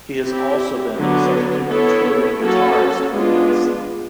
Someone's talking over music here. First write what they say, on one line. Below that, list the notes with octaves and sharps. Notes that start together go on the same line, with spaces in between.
He has also been a substitute touring guitarist for The Unseen.
C4 E4 G4
D3 F#3 B3
B3 E4 A4 C#5
F#3 A#3 C#4 F#4 A4
G#3 B3 D4 F4